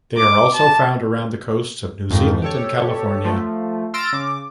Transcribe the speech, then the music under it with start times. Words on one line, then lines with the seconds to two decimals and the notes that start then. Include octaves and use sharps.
They are also found around the coasts of New Zealand and California.
0.17 D6
0.54 A5
2.11 F2 G#2 D#3
2.42 G4 A4 C#5
3.24 F3 A3
3.94 C6 E6 F6 A6 A#6 D7
4.13 C#3 D6